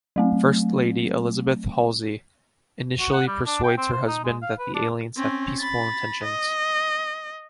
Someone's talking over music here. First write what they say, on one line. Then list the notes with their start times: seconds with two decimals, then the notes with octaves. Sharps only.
First Lady Elizabeth Halsey initially persuades her husband that the aliens have peaceful intentions.
0.16 F#3 A3 C4
3.00 F#4
3.13 F#5
3.28 G3
3.46 D4
3.64 G5
3.78 C4
3.93 C5
4.07 D#4
4.24 G#3
4.42 F5
4.59 B4
4.74 D4
5.17 C4 C#4
5.59 B5 A6
6.24 D#5